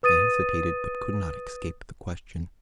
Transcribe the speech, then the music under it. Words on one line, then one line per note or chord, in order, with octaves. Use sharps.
I hesitated but could not escape the question.
B4 D#6 A6 D#7